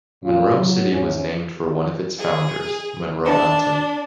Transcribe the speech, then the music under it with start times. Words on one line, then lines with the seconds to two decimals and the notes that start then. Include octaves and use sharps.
Monroe City was named for one of its founders, Monroe Alton.
0.23 A#2 F#3 C#4 F4
0.56 F#3
0.91 E2 G#2 C#4 C#5
2.18 G#4
3.24 D4